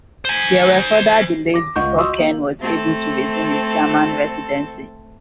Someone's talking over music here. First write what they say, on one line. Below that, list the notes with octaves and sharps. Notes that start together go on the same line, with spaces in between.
There were further delays before Kern was able to resume his German residency.
C5 G#5
D6 A#6
C#2 F4 D#5 F#5 C#6 G6
F#4 D#5 C6 C#6 D#6 E6
A#3 F#7
A3 C4 A4